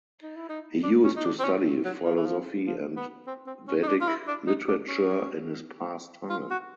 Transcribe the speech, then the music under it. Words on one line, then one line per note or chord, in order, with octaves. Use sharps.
He used to study Philosophy and Vedic literature in his past time.
D#4
E4
D#4
D4
C#4
D#4
D4
C4
C#4
F#3
F3
E3
F3
F3
B3
C4
C4
C#4
D#4
D4
F4
E4
D4
D#4
D4
C#4
F4
F#4